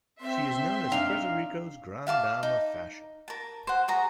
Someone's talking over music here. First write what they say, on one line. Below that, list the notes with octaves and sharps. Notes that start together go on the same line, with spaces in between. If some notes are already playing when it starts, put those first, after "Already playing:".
She is known as "Puerto Rico's grande dame of fashion".
C4 E5 C6
D4 D#4 F5
E5 F5 A5 D6
D#4
A#4 A5
C5 F#5
F#4 G#4 A#5